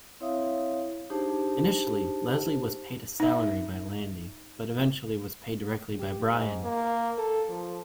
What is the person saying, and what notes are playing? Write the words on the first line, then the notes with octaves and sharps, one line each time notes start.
Initially, Leslie was paid salary by Landy, but was eventually paid directly by Brian.
C4 E4 C#5 E5 F5 D#6
D4 D#4 G4 G#4 C5 A5
D#4 E5
G4
G#2
A#3
A4
F3